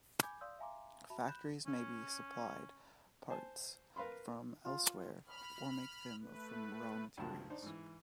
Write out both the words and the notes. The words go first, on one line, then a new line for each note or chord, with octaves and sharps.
Factories may be supplied parts from elsewhere or make them from raw materials.
G#5 B5 D6 G6 G#6
D5 F5 C6 D#6 E6 G6
E5 F5 G#5 A#5 C6 D6
F#4 E5 A5 B5
B5 F#6 G6 E7
C#4
C5 G#5 A5
A#4 B4 F5 B5 C6
F4
B5 F6
A3 B4
C#2 G2 F3 F#3 A3 A5
D4 D#4 C5
G#2 E3